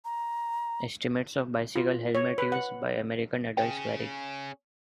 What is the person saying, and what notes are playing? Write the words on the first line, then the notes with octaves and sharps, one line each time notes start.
Estimates of bicycle-helmet use by American adults vary.
A#5
F4
C#5
B4
F#5
C#4 G#4 G5